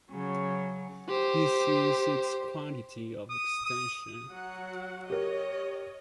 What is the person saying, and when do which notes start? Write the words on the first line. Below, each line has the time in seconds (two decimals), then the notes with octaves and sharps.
This is its quantity of extension.
0.11 C#3 F#3
1.09 G4 C5
3.31 D#6
3.66 D#6
4.30 F#3 F#4 F#5
5.10 G4 A#4 C#5 D#5